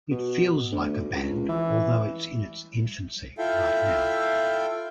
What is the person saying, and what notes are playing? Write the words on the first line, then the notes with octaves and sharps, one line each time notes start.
It feels like a band, although it's in its infancy right now.
B2
D2
C#2
E3
E4 F4 A4 E5 F5 G5